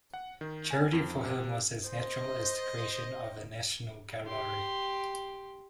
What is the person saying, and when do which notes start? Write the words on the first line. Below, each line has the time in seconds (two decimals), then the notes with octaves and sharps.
Charity for him was as natural as the creation of a national gallery.
0.14 F#5
0.41 D#3
0.71 G#5
0.93 F2
1.25 C3
1.84 C5 D#5
4.27 G4 C6